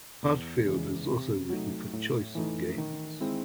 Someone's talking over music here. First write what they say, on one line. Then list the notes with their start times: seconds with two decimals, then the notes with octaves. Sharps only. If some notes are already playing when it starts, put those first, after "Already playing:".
Heartfield has also written for Choice of Games.
0.22 E2
0.66 C#3 E3 G#3
1.08 C3
1.50 F#3 A3 D#4
1.93 A2
2.35 E3 A3 D#4
2.78 D#3
3.21 G#3 C4 E4